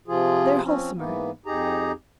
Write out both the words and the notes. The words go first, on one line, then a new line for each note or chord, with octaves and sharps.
They're wholesomer.
C3 F3 F4 G#4
F3 C4 C#4
G#2 E3 A#3 B3
F2 D#4 G4 G#4 A#5